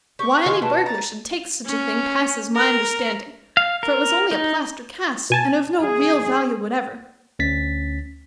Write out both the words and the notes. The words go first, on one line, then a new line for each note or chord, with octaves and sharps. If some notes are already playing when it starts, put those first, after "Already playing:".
Why any burglar should take such a thing passes my understanding, for it was only a plaster cast and of no real value whatever.
G4 C#6
D#3 F4 G#4
B2 A5
A#5 A6
C#4
A#4
F5
A#4
D#4
B2 G#5 A5
G#4
D2 C#4 A6 B6